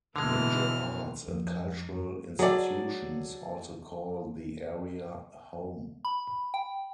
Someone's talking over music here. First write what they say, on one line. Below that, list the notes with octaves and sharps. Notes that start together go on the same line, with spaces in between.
Major arts and cultural institutions also call the area home.
B2 D3 E3 G#3 F6
F2
F#3 G#4 A4 D5
B5
G5